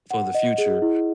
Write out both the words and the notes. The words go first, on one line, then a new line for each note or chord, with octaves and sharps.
for the future
F#5
D#5
G#4
E4